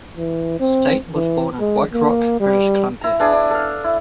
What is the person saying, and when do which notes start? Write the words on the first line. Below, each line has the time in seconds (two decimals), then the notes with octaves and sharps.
Staite was born in White Rock, British Columbia.
0.17 E3
0.60 C4
1.15 E3
1.59 G#3
1.93 A#3
2.40 G3
3.01 E4 A#5
3.19 B3 D4 E4 G#4
3.32 D4
3.51 A4 F5
3.84 E4